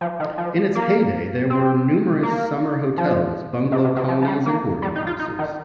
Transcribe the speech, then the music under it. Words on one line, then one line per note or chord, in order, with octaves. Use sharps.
In its heyday there were numerous summer hotels, bungalow colonies, and boarding houses.
F3
D#3
F3
A#3
C4
A#3
F3
C3
C3
C3
F3
F3
G3
A#3
G3
D#4
F4
D#4
D#3